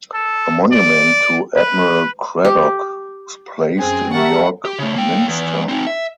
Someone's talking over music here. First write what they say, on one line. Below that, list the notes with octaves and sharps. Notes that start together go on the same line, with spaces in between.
A monument to Admiral Cradock was placed in York Minster.
A4
D5
B4
G4
F#2 C4 G#4
G3 A#4 E5 F#5 A5 C#6
G4
C#3 A3
A#3 G5
E2
C4 D#4
E5